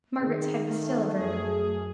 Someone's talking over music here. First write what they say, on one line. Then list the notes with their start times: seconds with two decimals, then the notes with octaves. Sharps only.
Margaret's head was still averted.
0.20 D#3 G#4
0.65 A3
1.18 F#2 G#4